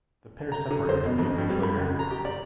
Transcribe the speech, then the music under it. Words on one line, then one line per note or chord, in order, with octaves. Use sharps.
The pair separated a few weeks later.
A#5
D3
C5
B2
F2
G2
G3
B5
C#2
A#5
G4
D5